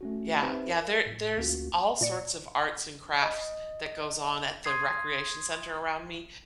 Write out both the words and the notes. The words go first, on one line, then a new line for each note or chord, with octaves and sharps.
Yeah, yeah, there there's all sorts of arts and crafts that goes on at the recreation center around me,
A3 C#4 F#4
C4 D#4 G4 B4 C5 E5
A#4
A2
D2 A#3 C#4 F4 F#4
A#2 D5 C#7
D#5
C6 D#6 G#6 C7